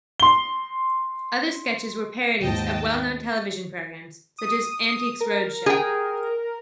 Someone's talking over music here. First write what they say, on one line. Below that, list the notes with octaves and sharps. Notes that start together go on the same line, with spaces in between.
Other sketches were parodies of well known television programs, such as "Antiques Roadshow".
C6 G7
D#2 G#2 D#5 G5 A5
D#6
A#4
G#4 G5